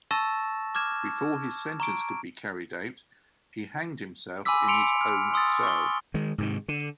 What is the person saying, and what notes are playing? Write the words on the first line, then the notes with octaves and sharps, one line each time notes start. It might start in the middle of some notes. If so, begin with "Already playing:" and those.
Before his sentence could be carried out, he hanged himself in his own cell.
A5 C#6 E6 A6 A#6 E7
D6 F6 G#6 E7
A#5 C#6 D7
G#5 B5 C6 D6 E6 B6
C6 C#7 D7 F7
F6
C6 D#6 E6 A6
C#6 G7
D#3 G#3
G#2 C3 D#3
D3